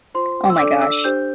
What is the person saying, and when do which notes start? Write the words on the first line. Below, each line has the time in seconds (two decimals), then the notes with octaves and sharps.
Oh my gosh.
0.15 F4 C5 C6
0.50 E6
0.59 D4 A4 D5 D6
0.81 E6
1.04 D4 G4 C5 G6